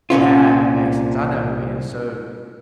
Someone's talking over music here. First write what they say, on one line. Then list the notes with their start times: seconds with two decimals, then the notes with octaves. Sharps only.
That makes sense, I know who he is, so
0.10 C2 A#2 C#4 F4